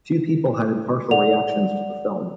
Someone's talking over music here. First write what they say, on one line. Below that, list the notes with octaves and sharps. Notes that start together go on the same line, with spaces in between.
Few people had impartial reactions to the film.
D5 F#5 F7